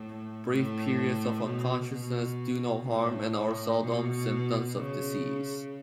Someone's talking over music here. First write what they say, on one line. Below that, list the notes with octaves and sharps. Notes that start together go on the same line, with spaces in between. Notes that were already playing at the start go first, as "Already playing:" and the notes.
Brief periods of unconsciousness do no harm and are seldom symptoms of disease.
Already playing: A2
A2
B2
B2
A2
B2
C#3